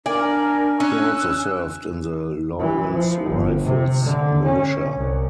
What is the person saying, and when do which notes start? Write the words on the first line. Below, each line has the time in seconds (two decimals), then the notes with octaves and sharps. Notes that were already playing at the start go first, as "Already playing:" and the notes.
He also served in the Lawrence Rifles militia.
0.06 D4 A#4 D5 G#5
0.80 C#4 E6 F#6
2.59 E3
2.94 F3
3.30 G1
3.64 C3
4.03 D3
4.44 C#4
4.97 C2